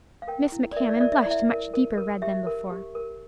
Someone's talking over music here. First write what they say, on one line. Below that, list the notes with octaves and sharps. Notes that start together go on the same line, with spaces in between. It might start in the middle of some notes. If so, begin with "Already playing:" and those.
Miss Macmahon blushed a much deeper red than before.
F5
A#4 G5
E4
D5
A#4 E5
D5
E5
A#4 D5
E5
E4 D5
E5
A#4
A#4
A#4
G4 E5
A#4
G4
A#4